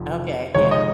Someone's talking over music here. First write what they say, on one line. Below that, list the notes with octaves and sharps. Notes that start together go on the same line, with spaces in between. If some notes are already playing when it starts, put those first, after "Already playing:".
Okay, yeah.
Already playing: F1 F2 F3
F1 F2 D#3 G#3 D#4 C#5
D#5